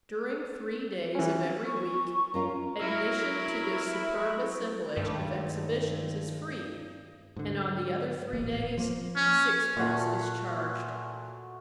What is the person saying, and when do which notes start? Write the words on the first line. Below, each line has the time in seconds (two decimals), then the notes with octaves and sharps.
During three days of every week admission to this superb assemblage of exhibitions is free, and on the other three days sixpence is charged.
1.15 E3 C#4
1.66 C#6
2.34 C#4 F4 A#4 A#5
2.81 F#3 E4 A#4
4.97 G2 D#3 G#3 A3
7.36 G#2 D3
8.33 D#1 A1 A#3
8.78 F3 A#3
9.16 C#4
9.77 A#2 A3 F#4 F5